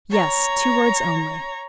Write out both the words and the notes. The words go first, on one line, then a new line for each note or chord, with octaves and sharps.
"Yes; two words only."
C#5 A#5